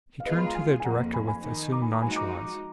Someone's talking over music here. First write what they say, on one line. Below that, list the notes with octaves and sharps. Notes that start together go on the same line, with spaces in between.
He turned to the director with assumed nonchalance.
F5
G#3 B3 F4 G#4 B4 D#5
B5
A#5
F5 G#5
G#5
F2 F3 A#3 F#5 A#5
G#5 B5
G#5 B5
D#3 A#3 D#4
A#5 D6
G#5 B5
A#5 D6
F3 G#3 D#4 F#4 G#5 B5
A#5 D6